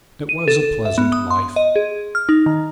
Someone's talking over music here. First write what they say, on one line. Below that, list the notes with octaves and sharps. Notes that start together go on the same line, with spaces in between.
It was a pleasant life.
D#7
A4
E5
B3
D#6
C6
D#5
G#4
F6
D#4
D#3